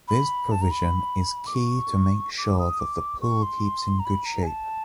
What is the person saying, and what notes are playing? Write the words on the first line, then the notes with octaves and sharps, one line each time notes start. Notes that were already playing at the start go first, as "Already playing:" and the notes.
This prevision is key to make sure that the pool keeps in good shape.
B5
A5
A#5
B5
D6
C#6
D6
D#6
D6
C#6
C6
A#5
B5
A#5
G#5
A5